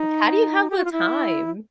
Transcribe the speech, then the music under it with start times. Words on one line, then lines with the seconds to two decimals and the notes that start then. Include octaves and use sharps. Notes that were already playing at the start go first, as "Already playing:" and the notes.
Like, how do you have the time?
Already playing: D#4
0.70 G4
0.77 F#4
0.85 F4
0.92 E4